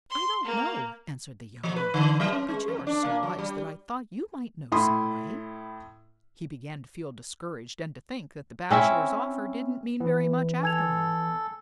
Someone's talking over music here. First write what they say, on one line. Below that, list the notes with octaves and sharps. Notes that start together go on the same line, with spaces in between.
"I don't know," answered the young Mink, "but you are so wise that I thought you might know some way." He began to feel discouraged, and to think that the Bachelor's offer didn't mean very much after all.
C6
A#3
F3
B4
D3
F#3
C#4
G#3
F2
D4
A#3
F#3
G3
A2 E4 B5 C6 D#6
C4 C#4 E4 E5
E3 B3
A4 G#5 G#6 F7